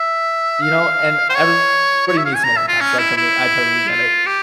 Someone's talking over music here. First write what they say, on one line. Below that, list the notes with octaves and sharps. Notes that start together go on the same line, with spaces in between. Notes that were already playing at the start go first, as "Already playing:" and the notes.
You know, and everybody needs some alone time, so I totally I totally get it,
Already playing: E5
F5
C5
C#5
C#5
E5
F5
G#5
A#5
E5
F4
C#4
E4
E4
F4
G4